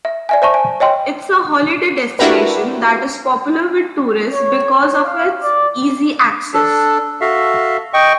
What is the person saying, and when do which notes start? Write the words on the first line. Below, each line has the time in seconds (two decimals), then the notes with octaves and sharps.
It's a holiday destination that is popular with tourists because of its easy access.
0.05 E5
0.29 D5 E5 G#5
0.42 C5 E5 A5 C#6
0.54 G#5
0.80 C#5 D#5 G5 C6
2.19 D4 E4 F#4 G4 A#4 B4
4.32 C#5
4.71 C#5
5.04 F5
5.41 D5
6.54 D4 A4
7.21 F#4 A4 E5 F5
7.94 D#5 G5 C#6